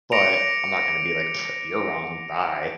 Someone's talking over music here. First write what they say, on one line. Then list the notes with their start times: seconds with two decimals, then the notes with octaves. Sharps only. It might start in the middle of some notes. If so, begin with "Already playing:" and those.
but I'm not gonna be like, "Pfft, you're wrong, bye."
0.12 D6 A#6 C#7 D7 F7